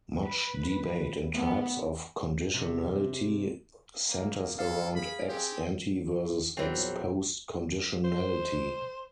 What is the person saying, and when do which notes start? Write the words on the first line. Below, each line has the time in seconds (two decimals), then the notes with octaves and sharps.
Much debate in types of conditionality centers around ex-ante versus ex-post conditionality.
0.23 B4
1.35 B3
2.54 C3
4.07 A#3
4.59 A4 F5
4.96 G#4 B5
5.29 C4 G4 G#4
6.57 A#1 E2 E3 F#3 C4
8.05 C5